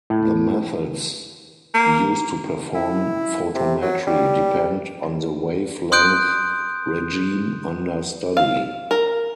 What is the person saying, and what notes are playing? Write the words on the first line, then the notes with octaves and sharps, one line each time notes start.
The methods used to perform photometry depend on the wavelength regime under study.
A2
A#3
E4
C3
F#3
G3
C6 D#6 F#6 G6 D7
F5
A#4